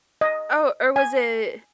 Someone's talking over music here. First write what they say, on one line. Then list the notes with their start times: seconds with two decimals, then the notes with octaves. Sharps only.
oh, or was it
0.21 D#5
0.96 G#5